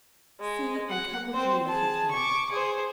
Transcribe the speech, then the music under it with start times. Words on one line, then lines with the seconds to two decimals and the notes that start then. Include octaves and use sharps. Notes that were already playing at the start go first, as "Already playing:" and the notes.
See and come with me if you can.
0.40 G#3
0.89 F#5
1.34 C4 C5
1.67 G#4 A5
2.11 C#6 D6
2.52 G#4 C5